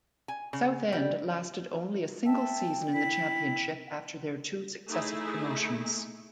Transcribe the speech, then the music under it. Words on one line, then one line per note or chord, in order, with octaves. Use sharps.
Southend lasted only a single season in the Championship after their two successive promotions.
G#5
C#3
G3
E5 G5 A5
E4 B6
A3 D#4 E4 G#4